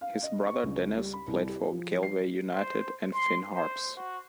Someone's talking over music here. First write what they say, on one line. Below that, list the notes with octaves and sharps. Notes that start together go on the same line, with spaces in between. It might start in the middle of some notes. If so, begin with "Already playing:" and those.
His brother Denis played for Galway United and Finn Harps.
F5
D#5
C#6
C#2
G3
B5
C2
G4
F3
C7
C5
C6
C5
F#4